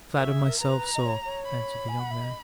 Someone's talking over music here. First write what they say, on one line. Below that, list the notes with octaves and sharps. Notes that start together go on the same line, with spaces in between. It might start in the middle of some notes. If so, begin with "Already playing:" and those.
"I flatter myself so," answered the young man.
A#4 E5
F#4
G#4
A#4
B4 A#5
D#5
C#5
C#5
B5
G#5
F#5
E5
D#5